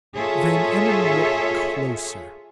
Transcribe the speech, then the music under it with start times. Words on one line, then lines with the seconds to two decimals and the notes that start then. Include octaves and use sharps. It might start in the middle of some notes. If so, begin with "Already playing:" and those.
Van Emmon looked closer.
0.15 F4 G#4 A4 C#5 E5